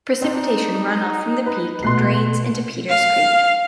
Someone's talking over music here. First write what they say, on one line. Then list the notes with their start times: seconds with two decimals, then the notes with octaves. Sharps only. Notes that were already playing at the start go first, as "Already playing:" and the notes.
Precipitation runoff from the peak drains into Peters Creek.
0.22 C4 D4 D#4
1.46 B4
1.83 B2 A3 C6 F#6 C7
2.90 F5